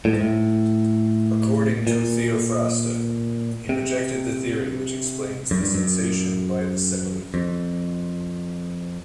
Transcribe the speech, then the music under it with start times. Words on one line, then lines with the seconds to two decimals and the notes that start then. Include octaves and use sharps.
According to Théophraste, he rejected the theory which explains the sensation by the similar.
0.05 A2
0.13 G#2
0.21 A2
1.87 A#2
3.69 C3
5.51 F#2
5.63 G2
5.74 F#2
7.34 F2